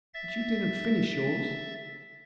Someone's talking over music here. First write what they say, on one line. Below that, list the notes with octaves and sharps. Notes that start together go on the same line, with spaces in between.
But you didn't finish yours.
E5 A6